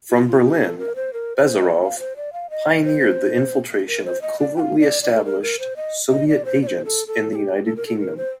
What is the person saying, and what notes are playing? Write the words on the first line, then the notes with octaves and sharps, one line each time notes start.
From Berlin, Bazarov pioneered the infiltration of covertly-established Soviet agents in the United Kingdom.
F4
F4
G4
A4
A#4
C5
A#4
C5
D#5
D5
F5
C5
D5
F5
D#5
C5
A#4
C5
D#5
D5
G5
F5
D5
D5
A4
A#4
A#4
C5
D#5
D#5
D5
C5
D5
C5
A4
A4
A4
G4
A4
A#4
A4
A#4
C5